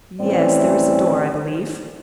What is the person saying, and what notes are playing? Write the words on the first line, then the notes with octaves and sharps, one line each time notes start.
"Yes, there is a door, I believe."
A2 E3 G3 C4 C#4 D5